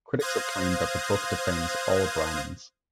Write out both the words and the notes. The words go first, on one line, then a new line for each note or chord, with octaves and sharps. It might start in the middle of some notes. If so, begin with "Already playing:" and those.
Critics have claimed that the book defames all Brahmins.
C5 F5 D#6 F#6 G#6 A#6